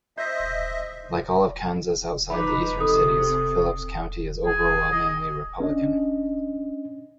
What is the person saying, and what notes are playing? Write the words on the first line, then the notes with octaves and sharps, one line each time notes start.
Like all of Kansas outside the eastern cities, Phillips County is overwhelmingly Republican.
C5 D#5 E5
F3 D#4 B4 B5 D6
C3 A4 D#6
G#4
D#5
C#4 D4 D#5